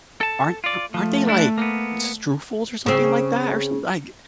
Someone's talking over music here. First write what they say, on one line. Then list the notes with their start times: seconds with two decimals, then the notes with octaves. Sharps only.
Aren't are aren't they, like, strufels or something like that or something like
0.21 A4 A5
0.64 F4 D5
0.94 F3 A3
1.28 D3 D4 E4
1.58 A#3 B3
2.86 C#3 C4